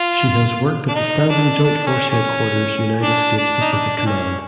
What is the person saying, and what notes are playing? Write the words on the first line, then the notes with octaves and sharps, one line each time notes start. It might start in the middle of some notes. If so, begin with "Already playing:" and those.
She has worked at the Standing Joint Force Headquarters United States Pacific Command.
Already playing: F4
D4
D#4
D4
D4
C#4
C#4
D4
D4
D#4
D4
D4
C#4